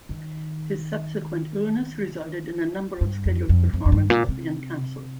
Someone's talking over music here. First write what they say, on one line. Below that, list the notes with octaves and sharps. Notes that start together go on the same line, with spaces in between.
His subsequent illness resulted in a number of scheduled performances being cancelled.
D#3
G2
F2
F2
F2
F2
G2
A#2
C3